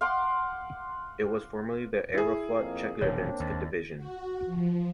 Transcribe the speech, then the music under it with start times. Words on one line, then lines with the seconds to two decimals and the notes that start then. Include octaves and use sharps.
It was formerly the Aeroflot Chelyabinsk Division.
0.01 F5 F#5 C6 D6
2.14 E4 G#4
2.58 F2 A#3
3.01 E1 A#2 D#3 A#3 C4 D4 C#5
3.40 D#2
3.97 F#4
4.46 F3